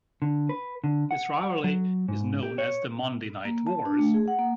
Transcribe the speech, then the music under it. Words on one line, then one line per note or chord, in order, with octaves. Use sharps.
This rivalry is known as the Monday Night Wars.
D3
B4
D3
F#5
F#3
G#2
G4
C#5
A#3
A5
D4
A3
G#4
F#5
A#3